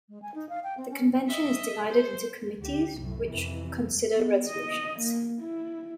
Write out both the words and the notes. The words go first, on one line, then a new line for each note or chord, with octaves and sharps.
The convention is divided into committees which consider resolutions.
G#3
G#5
D#4
F5
G5
C4
C#4
D#5 E5
C5
D2 G4
C2 F#2 A2
F2 C3 E3
B3
D#5
A#3
E4